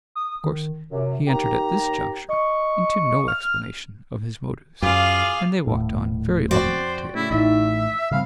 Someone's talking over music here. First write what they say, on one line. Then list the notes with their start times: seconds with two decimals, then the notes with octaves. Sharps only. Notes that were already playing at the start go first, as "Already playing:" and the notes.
Of course, he entered at this juncture, into no explanation of his motives, and they walked on very lovingly together.
0.15 D#6
0.44 D#3
0.91 F#2 C3
1.28 D#2 G4 A#5
2.29 D#5 C#6
3.28 F6
4.82 F#2 F4 G#4 F5 D6
5.67 D#1 A2
6.51 F2 F#4 C5 D5 G5
7.15 A2 C#3 E4
7.31 A1 A2 D#4 E4 E5
8.11 G#1 C#3 G3 C4 F5